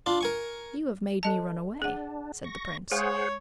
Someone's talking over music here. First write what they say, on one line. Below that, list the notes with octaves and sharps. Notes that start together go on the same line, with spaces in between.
'You have made me run away,' said the prince.
D4 F4
A#4 G#5 C#6
A4 D#5 A5
D4 G#4 F#5
C#6 A#6
G#3 G#4 C5 C#5 F#5